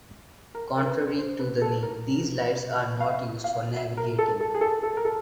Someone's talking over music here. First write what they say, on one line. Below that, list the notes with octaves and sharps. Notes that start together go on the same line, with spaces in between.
Contrary to the name, these lights are not used for navigating.
A#4
A#4
B4
C5
B4
A4
A#4
F5
E5
F5
E5
A#4
A4
A4
G#4
A4
A4
A#4
A4